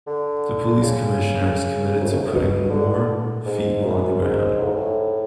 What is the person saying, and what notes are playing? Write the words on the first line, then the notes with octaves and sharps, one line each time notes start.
The police commissioner has committed to putting more feet on the ground.
D3
C#3
F2
F#2
G#2
A2
B2
D3
G#2
F#2
G#2
A2
G#2
A2